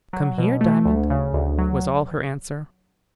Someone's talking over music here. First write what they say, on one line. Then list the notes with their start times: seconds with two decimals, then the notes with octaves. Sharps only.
"Come here, Diamond," was all her answer.
0.13 F#3
0.38 B2
0.61 A3
0.85 D2
1.10 C#3
1.33 D2
1.58 F#3